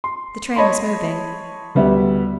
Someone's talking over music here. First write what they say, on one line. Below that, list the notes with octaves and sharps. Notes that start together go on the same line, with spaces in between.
The train was moving.
C6
C#5 D#5 A5 B5 C6
D2 G3 B3 E5